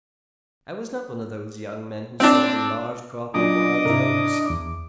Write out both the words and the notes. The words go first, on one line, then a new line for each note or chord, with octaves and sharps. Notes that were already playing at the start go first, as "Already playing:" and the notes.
I was not one of those young men who sow a large crop of wild oats.
C4 D4
F#2 A#2 D4 D#5 D6 D#6
G#2 C3 E4 A#4
E2 D6